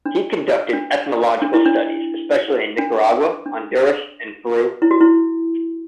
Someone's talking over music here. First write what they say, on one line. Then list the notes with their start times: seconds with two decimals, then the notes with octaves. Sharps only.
He conducted ethnological studies, especially in Nicaragua, Honduras and Peru.
0.06 D4
0.73 D4
1.42 D4
1.54 E4
1.66 D4
2.78 D4
3.46 D4
4.82 E4
4.91 F#4
5.01 E4